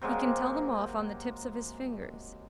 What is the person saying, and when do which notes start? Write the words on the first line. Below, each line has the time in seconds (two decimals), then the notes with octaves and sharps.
He can tell them off on the tips of his fingers.
0.02 C3 F#3 G#3 A#3